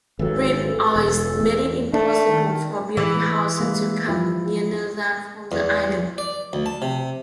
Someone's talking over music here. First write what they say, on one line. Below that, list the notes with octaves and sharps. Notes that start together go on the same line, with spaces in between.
Drift ice made it impossible for Bellinghausen to come nearer than from the island.
G#1 C#2 E3 F#3 A4
E1
E2
A3 D4
D#3
E3
G#3 A#3
F3 E4 F4
E2
D5
D2
A5
C3